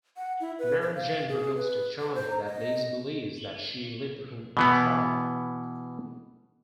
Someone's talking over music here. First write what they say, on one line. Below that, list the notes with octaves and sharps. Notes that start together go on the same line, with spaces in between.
Mary Jane reveals to Johnny that Liz believes that "she" lit him on fire.
F#5
E4
B4
C5
F5
G#4
B4
A4
C5
A#5
D#5
B2 E3 B3